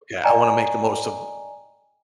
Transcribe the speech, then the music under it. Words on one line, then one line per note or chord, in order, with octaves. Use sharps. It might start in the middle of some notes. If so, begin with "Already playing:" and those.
yeah, I wanna make the most of
D5 D#5 G5 G#5 A#5